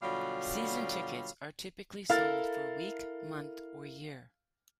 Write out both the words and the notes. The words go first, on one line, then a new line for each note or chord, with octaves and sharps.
Season tickets are typically sold for a week, month or year.
B2 D3 F#3 G3 F4 F5
E4 A4 A#4 F5 F6 A6